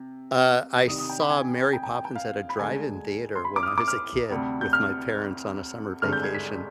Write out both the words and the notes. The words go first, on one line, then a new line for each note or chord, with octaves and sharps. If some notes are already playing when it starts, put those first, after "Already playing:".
Uh, I saw Mary Poppins at a drive-in theater when I was a kid, with my parents on a summer vacation.
Already playing: C3
C2 C3 D#3 G3 D#6
D#6
G5
B5
G#5
G5
G5
G5
G5
F5
B5
D2 D3 G#3 G#5
C6
B5
D6
F6
D#6
D6
F6
D2 C3 G3
G6
F6
G#1 G2 D3 G#3 F6
G6
G#6
B6